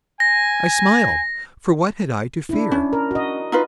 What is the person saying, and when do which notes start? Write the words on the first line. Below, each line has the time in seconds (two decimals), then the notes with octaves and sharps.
I smiled,--for what had I to fear?
0.20 G#5 A#6
2.49 D4 E4
2.72 C#4
2.93 A#4
3.11 F#4 D#5
3.52 D#4 F4 B4